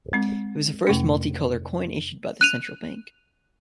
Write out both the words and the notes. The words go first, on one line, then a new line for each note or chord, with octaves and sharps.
It was the first multi-colour coin issued by the Central Bank.
G#3 C4
F2 C3 A3 C#4
F#6 D#7 F7